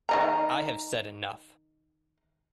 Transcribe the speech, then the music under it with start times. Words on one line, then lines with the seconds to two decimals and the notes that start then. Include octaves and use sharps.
I have said enough.
0.09 D#3 D#5 A#5